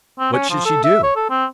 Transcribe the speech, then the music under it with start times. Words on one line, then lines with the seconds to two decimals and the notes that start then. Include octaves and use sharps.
What should she do?
0.19 C4
0.33 C#4
0.50 F3
0.66 A4
0.84 E5
1.03 C#5
1.16 A4
1.30 C4